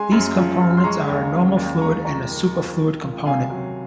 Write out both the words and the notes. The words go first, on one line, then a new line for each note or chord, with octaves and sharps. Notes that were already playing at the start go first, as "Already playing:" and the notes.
These components are a normal fluid and a superfluid component.
Already playing: G#3 G#5 C6
F#2
F3
F#2
C6
G#3 A#5 C#6
D#2
C#3
D#2
G#3 A#5 C#6
F2 A#5 C#6
D#3
F2
D#3
C#2
C3 F5 G#5
F#3